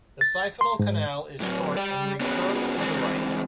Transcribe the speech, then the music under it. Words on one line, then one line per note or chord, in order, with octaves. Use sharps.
The siphonal canal is short and recurved to the right.
A6
C6
G#2
A2 F#3
G4 D5
B3 C#4 D4 F#4 G#4 B4
E3 G#3 C4 D4